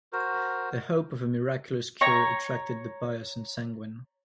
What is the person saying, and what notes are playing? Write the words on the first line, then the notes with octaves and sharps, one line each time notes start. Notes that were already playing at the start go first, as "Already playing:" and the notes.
The hope of a miraculous cure attracted the pious and sanguine.
F#4 A#4 C5
C#5 A#5 C#6